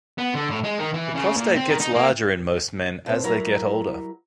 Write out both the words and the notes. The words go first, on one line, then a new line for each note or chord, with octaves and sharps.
The prostate gets larger in most men as they get older.
B3
D3
A2
G#3
D#3
E3
C#3
A#2
C4
D#3
D#4
A#3
B2 C4
F#3 G3 E4 A#4 A#5